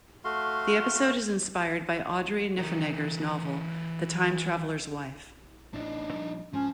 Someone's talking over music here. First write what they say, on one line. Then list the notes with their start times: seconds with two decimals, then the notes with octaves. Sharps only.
The episode is inspired by Audrey Niffenegger's novel "The Time-Traveler's Wife".
0.24 A3 F#4 F5 C6
2.58 E3 A#4
5.74 A1 A2 D4 D#4
6.13 A#2 F3 G3
6.53 G#2 F3 C#4